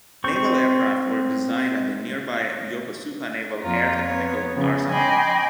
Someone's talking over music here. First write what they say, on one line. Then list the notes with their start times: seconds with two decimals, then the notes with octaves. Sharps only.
Naval aircraft were designed at the nearby Yokosuka Naval Air Technical Arsenal.
0.24 C4 C#6 G6
3.61 F2 A#3 F4 A#5
4.02 B3 C#5
4.52 C#3 F3 B3
4.91 D#5 G5 G#5 B5 C6 D6